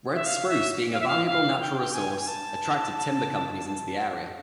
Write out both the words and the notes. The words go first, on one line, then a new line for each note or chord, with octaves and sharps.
Red spruce, being a valuable natural resource, attracted timber companies into the area.
E5
F5
E5
F5
E5
F5
F5
G5
G#5
G#5
A5